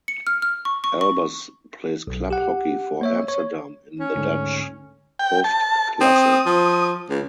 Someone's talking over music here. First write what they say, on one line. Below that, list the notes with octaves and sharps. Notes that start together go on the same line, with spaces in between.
Albers plays club hockey for Amsterdam in the Dutch Hoofdklasse.
C#7
F6
F6
C#6
C#6
C#6
B1
G4 F#5
A#3 C#5 E5
C#5
C#4
D2 G#2 D3
G5
A5
C4 D#6
F3
C#2